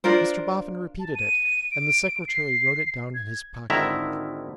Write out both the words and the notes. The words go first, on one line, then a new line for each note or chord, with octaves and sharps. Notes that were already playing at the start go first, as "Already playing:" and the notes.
Mr Boffin repeated it, and the Secretary wrote it down in his pocket-book.
D4 F4 A#4 C5
A5
D#7
D7
C7
G#6
G#1 D3 D#3 E4 E5 A#5